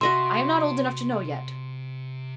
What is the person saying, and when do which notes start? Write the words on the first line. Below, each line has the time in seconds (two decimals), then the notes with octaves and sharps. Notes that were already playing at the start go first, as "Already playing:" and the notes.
"I am not old enough to know yet."
0.01 C3 F#4 D#5 E5 C6